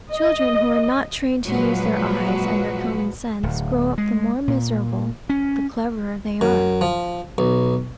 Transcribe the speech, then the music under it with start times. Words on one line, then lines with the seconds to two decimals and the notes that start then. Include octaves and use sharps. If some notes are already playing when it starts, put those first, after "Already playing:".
Children who are not trained to use their eyes and their common sense grow up the more miserable the cleverer they are.
0.13 D#5
1.45 A#2 F3 F#3 G#3 F#4 B4
3.43 D1
3.98 G#3
4.48 A#2
5.29 C#4
6.41 F#2
6.81 F3
7.38 B1